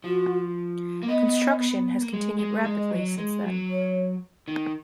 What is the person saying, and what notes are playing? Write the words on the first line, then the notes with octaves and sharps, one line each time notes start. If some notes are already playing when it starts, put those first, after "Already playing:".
Construction has continued rapidly since then.
F3 F#4
A#3
B3 D#5
A#3
G#3
G#3
G#3 D#5
F#3
G#3
F#3
C#5
D#3